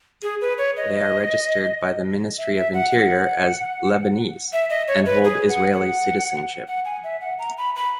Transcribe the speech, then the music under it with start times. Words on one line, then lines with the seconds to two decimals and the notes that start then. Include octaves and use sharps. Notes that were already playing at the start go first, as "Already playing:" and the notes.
They are registered by the Ministry of Interior as "Lebanese" and hold Israeli citizenship.
0.23 G#4
0.41 B4
0.58 C#5
0.77 D#5
2.38 E5
2.56 E5
2.74 F#5
2.92 F#5
4.53 E5
4.70 D#5
4.88 C#5
5.06 B4
5.25 G#4
5.49 F#5
5.73 F#5
6.68 F#5
6.85 G#5
7.04 E5
7.21 F#5
7.39 A#5
7.58 B5
7.76 B5